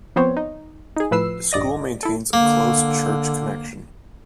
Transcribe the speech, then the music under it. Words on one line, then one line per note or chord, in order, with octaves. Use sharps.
The school maintains a close church connection.
F3 B3 C4 C5 C#5
D#4
D#4 G#4
A2 F3 B4 E6 C7
A#1 G2 D5 D#5 A#6
E4 A4
D3 A#3